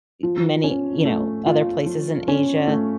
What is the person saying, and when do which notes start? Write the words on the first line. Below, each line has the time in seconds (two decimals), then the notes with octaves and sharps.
eh, many, you know, other places in Asia
0.23 F3
0.64 C#4
1.05 A3
1.46 F4
1.86 F3
2.28 C#4
2.68 A3